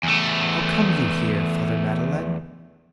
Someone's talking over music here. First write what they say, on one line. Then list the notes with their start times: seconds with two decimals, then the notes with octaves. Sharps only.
How come you here, Father Madeleine?
0.03 E2 A3